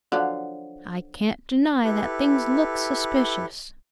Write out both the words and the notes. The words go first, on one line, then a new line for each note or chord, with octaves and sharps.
I can't deny that things look suspicious.
D3 F3 F#3
E4 G4 A4 B4